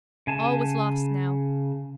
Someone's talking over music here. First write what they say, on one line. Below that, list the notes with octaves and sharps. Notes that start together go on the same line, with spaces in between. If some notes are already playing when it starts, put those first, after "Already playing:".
All was lost now.
C#3 G#5 A5